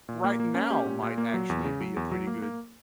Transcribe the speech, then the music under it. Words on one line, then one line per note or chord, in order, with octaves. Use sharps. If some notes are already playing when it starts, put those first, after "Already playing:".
right now might actually be a pretty good
A#2
A#3
A#3
C#4
G4
A#2
A#2
A#3
F#3
E2
C#3
F#3
E2
F#3
A#3
A#3